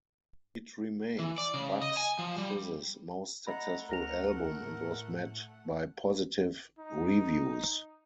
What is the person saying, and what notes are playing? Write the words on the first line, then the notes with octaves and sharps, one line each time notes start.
It remains Bucks Fizz's most successful album and was met by positive reviews.
E3
D5
C#3
D#5
G#5
F3
G3
A3 D#5 F#5 A#5 B5
D2 A#4 A#5 A#6 F7
A2
D#4